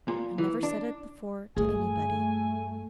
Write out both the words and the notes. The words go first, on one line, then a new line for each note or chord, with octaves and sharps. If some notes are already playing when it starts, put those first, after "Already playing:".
I never said it before--to anybody.
A#2
E3
D4
G2 A#2 A3 G#4 G#5